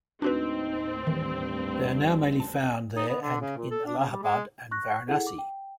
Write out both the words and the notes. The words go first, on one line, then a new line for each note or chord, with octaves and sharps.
They are now mainly found there and in Allahabad and Varanasi.
D#2 A2 C4 D4 D#4 F#4 B4
G2 D#3 E3
A5
D#4
B3
D3
C#3
A#2
A4
D4
C#3
G3
G#3
C#6 F#6 A#6
E4 G#4 A4 F#5
D6
G5